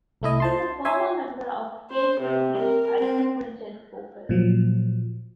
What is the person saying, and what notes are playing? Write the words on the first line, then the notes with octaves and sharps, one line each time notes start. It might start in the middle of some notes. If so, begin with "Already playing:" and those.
He is a former member of "Team Full Tilt" at Full Tilt Poker.
C2 A3 E4 D#5
C5 A5 C6
C#5 E5 G#5 C6
C5
C3
A#4
C4
A#2 F3 F#3